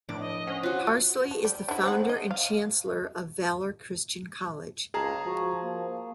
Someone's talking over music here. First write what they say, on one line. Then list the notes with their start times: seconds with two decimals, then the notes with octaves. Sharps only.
Parsley is the founder and chancellor of Valor Christian College.
0.09 A2 F3 D4 D7
0.20 D#5
0.47 C#4 C5 F#5
0.63 F4 F#4 F#6
1.31 A3
1.45 G3
1.68 D3 E4
1.83 C4 D#4 F#5
2.09 D#5
2.31 F5
4.94 C#2 G#4 A5 A#5
5.25 F3 F#4
5.62 A#3